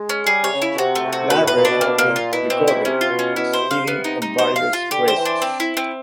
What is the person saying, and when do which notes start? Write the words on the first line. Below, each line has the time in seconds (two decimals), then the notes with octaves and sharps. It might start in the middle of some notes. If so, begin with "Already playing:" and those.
Larvae have been recorded as feeding on various grasses.
Already playing: G#3
0.09 C#4
0.27 G3 G#4
0.43 C3 C#5
0.52 C#3
0.62 E4
0.73 B2
0.78 C3 F#4
0.95 A3
1.05 C3
1.13 F#4
1.30 B2 B4
1.42 A2
1.47 B4
1.56 A#2
1.65 B2 D4
1.81 B2 A#3
1.98 A#3
2.07 A#2
2.16 F4
2.32 B2 E4
2.50 C4
2.68 E4
2.76 C#3
2.84 C3 C#4
3.01 F4
3.10 B2
3.19 C#4
3.36 B2 E4
3.53 C5
3.62 C3
3.71 F5
3.87 B3
4.04 D#4
4.22 D#4
4.38 C5
4.56 F5
4.73 F4
4.91 D3 G4
5.08 C5
5.17 E3
5.25 D4
5.42 C4
5.60 E4
5.77 C4